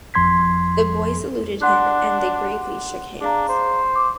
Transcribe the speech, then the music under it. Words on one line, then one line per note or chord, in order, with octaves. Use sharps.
The boy saluted him, and they gravely shook hands.
G1 F2 F3 C6 G#6 B6
D4 F#5 C6 F#6
D4 G#4 F5 A#5
C5
D6